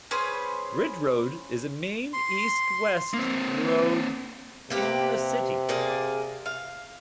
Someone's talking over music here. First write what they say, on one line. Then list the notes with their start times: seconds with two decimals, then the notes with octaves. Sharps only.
Ridge Road is a main east-west road in the city.
0.11 C#4 G#4 B4 C5
2.13 C6
3.14 A#3 C4
4.70 C3 A#3 G4 B4
5.69 A#3 G#4 D5
6.46 F5